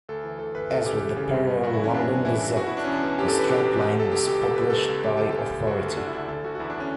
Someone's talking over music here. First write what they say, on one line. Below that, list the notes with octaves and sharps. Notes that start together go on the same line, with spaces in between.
As with the parallel "London Gazette", the strapline was "Published by Authority".
D2 A4
E3
D2 A4
D2 B4
D2 A4
C#3 G4
E3
C#3
G2
G2
G2 F#4
E4
E3 C#4
G2 D4
G2
E3 E4
G2
B2 F#4
E4
B2
D4
C#4
E2
D4
B2
E2 G4
A4
E2 B4
B2 G4
E2
B2
B2 A4
C#2 G4
B2 G4
C#2 A4
B2 B4
C#2 A4
C#2
D2 G4
D3 A4
G4
D2
D2
D2 F#4
D3
D3 D4
E4
D2 D4
D3 A4
D3 F#4
F#4
E2 E4
D4
D3 C#4